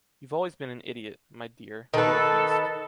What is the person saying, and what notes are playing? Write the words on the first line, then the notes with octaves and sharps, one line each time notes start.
You’ve always been an idiot, my dear, little beast.
D#3 A4 B4